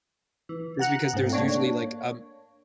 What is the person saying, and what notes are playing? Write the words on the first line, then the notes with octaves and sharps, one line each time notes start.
It's because there's usually, like, um
E3
F#5 A#5 F#6
G#2 A3 C4
A#3 D4 C#5